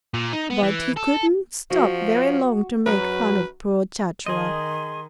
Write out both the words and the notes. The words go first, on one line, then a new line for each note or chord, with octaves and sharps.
But he couldn't stop very long to make fun of poor Chatterer.
A#2
D#4
B3
E3
A4
F3 F#4
F#2 F#3 B4 A#5
D#3 G#4 D#5 C6